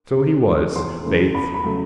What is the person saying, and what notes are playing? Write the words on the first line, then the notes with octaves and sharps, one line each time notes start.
So he was, faith.
C3
F3 A3
E2 C6
C#3 E3 A3
E2 B5
B5
C#3 F#3 A3